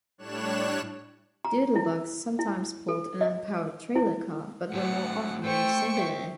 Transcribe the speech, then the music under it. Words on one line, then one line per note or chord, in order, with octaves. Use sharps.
Doodlebugs sometimes pulled an unpowered trailer car, but were more often used singularly.
A2 G3 D4 C#5 F#6 E7
A#5
E4
E4
A4
D#5
E4
A2 F#3 C5 F#5
A3 C5 G5 C#6
D5 E5